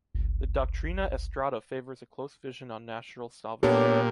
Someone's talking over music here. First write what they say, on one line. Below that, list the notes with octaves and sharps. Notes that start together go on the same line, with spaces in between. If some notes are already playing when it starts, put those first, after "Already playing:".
The Doctrina Estrada favors a close vision on national sovereignty.
G1 C#2
A#2 B3 D4 G4 A4 C#5